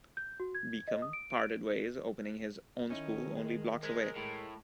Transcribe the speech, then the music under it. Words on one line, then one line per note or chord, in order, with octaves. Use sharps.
Beacom, parted ways, opening his own school only blocks away.
G6
F#4
G#6
D#5
D#6
D7
D7
D#3 C#4 D#4 E4 D#5
G#3
G#3 A#4 C5 G#6 B6
A2 G#3 A3